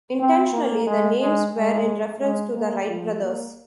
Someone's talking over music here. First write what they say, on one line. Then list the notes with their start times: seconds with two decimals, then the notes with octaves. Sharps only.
Intentionally, the names were in reference to the Wright brothers.
0.19 C4
0.53 A#3
0.87 G#3
1.20 G#3
1.54 G#3
2.21 G#3
2.55 A#3
2.88 F3
3.22 A#3